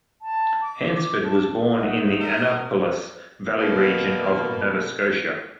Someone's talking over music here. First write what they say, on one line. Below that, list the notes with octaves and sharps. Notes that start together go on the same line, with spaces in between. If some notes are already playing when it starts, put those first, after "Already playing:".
Hansford was born in the Annapolis Valley region of Nova Scotia.
A5
D6
D6
A5
D#4 D#5 E5 F#5
A#4
B2 A#3